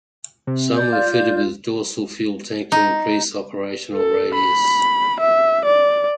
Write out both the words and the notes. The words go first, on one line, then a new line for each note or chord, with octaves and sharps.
Some were fitted with a dorsal fuel tank to increase operational radius.
C3
D5 G6
F4
D#4
A4
B5
E5
D5